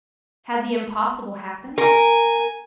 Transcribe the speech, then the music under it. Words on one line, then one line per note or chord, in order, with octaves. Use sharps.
Had the impossible happened?
A#4 G#5